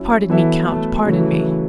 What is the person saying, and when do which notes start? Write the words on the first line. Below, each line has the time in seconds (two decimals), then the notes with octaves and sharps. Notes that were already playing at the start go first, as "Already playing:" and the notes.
"Pardon me, count, pardon me."
Already playing: F#3 C#4 E4
0.29 E3 F#3 B3 A4 E5
0.68 A3
1.05 C#3 E3 F#3 A3